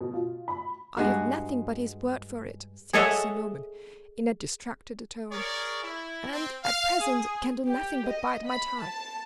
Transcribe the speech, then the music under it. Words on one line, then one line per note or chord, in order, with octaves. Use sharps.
"I have nothing but his word for it!" said Sir Norman, in a distracted tone, "and, at present, can do nothing but bide my time."
B2
F4
B5
G2 G#3 F#4
G#4 A4 C#5 D#5 E5 F#5
G#4 A#4 C#5 D5
E4
C4
F5
G#4
G4
D#5
B5
A5